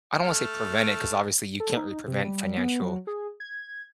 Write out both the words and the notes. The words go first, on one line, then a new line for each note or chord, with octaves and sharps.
I don't wanna say prevent it 'cause, obviously, you can't really prevent financial,
A3 A5 F6
A4
D#4
C3
G3
B3
F#3
G#4
G#6